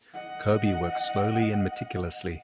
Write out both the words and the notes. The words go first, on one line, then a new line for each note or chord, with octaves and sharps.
Kirby worked slowly and meticulously.
D#5 F#5